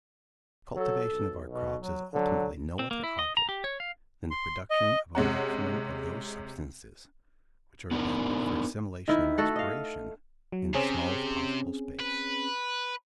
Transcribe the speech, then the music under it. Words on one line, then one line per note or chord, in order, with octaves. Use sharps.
The cultivation of our crops has ultimately no other object than the production of a maximum of those substances which are adapted for assimilation and respiration, in the smallest possible space.
F#3 A4
B1
B2
F#3
D3 F#3
C4
A#3
E4
D#5
A#5
G4
C#5
F5
C6
D#5
C3 G#3 C#4 F#5
B3 D4 D#4 F#4 A#4 B4
D#3 E4
A3 F#4 A4 F#5
D#5 F5
F#3
C3 C4 C#4 G#4
B4